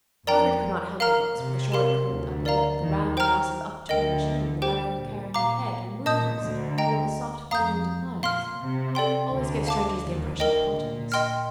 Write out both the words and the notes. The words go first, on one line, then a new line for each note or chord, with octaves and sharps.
Margaret could not help her looks; but the short curled upper lip, the round, massive up-turned chin, the manner of carrying her head, her movements, full of a soft feminine defiance, always gave strangers the impression of haughtiness.
F2 F3 A#4 D5 G5 A#5
A#4 F5 A#5 F6
C3
G4 A#4 F5 C6
D2 D3
A#4 D5 F5 A#5
D#2 D#3
C5 G5 A#5 F6
D2 D3 A#4 D#5 G5
G4 C5 G5
A#2
A#2 F5 A#5 D6
A#2 D#5 A5 D#6 G6
D2 D3
D#5 G5 A#5
F2 F3 F5 A#5 D#6 G6
A#2 F5 C6 F6
C3
A4 D5 G5 C6
D2 D3
F5 A5 D6
D#2 D#3
D2 D3 A#4 D#5 G5
A#2
D#5 G5 C6 F6